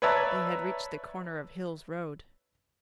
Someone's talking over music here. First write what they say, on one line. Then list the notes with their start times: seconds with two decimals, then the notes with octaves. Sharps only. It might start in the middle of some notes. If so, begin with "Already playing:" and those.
They had reached the corner of Hills Road.
0.02 B4 C#5 D5 E5 A5 A#5